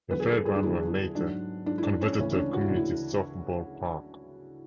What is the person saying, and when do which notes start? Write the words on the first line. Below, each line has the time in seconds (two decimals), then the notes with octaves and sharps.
The fairgrounds were later converted to a community softball park.
0.10 E2 D3 F#3 B4
0.20 G#4
0.29 A4
0.46 G#4
0.56 D4
0.63 E2 D3 F#3 E4
1.15 G#2 F#3 D4
1.66 G#2 F#3 D4
1.78 E4
1.84 D4
2.01 C#4
2.18 D2 C#3 E3 C#4
2.32 C#4
2.36 D4
2.53 F#4
2.61 E4
2.69 D2 C#3 E3 D4
2.77 E4